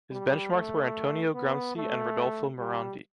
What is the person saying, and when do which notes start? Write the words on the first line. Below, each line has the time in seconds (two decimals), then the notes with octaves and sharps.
His benchmarks were Antonio Gramsci and Rodolfo Morandi.
0.12 G3
0.53 A3
1.34 B3
1.76 A3
2.58 G3